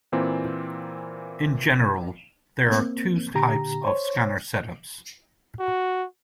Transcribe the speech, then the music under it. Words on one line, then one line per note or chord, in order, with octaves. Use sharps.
In general, there are two types of scanner setups.
A#2 E3 A#3 C4
A#3 C4
A#2 D3 G4 A#5
C5 C#5
F#4